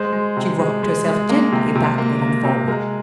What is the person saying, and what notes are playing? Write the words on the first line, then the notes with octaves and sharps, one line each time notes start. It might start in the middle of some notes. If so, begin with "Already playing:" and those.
She rocked herself gently backward and forward.
Already playing: G#3 C5
G#3
C3
G#3
G#3
G#3
A#3
C3
C3
A#3
A#3
C3
G#3 A#4